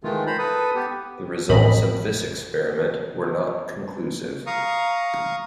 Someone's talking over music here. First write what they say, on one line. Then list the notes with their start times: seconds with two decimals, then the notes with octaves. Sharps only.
The results of this experiment were not conclusive.
0.03 D#3 E3 G#3 A3 F4
0.27 C5 A#5 B5
0.39 A4 B4 D#6
0.75 B3 G4
1.50 A1 F2 C4 D#5 B5
4.47 F5 A#5 C#6 D#6